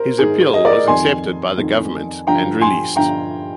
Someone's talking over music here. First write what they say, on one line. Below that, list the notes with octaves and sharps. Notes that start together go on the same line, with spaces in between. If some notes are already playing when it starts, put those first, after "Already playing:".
His appeal was accepted by the government and released.
Already playing: A#4 C5
G#2 D#3 G#4
D#5
A#4 D5
F2 D#3 G#5 C6
F2 D#3
G2 D3 F3 G5 A#5
G#5 C6
G2 D3 F3 G5 A#5